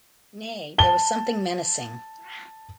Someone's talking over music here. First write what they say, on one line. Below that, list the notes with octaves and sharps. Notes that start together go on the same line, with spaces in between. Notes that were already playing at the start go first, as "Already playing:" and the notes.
Nay, there was something menacing.
A5 G7